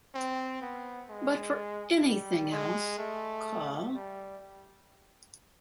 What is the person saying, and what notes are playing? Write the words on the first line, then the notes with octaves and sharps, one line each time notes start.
But for "anything else", call...
C4
B3
G#3
G3
G#3
A3
G3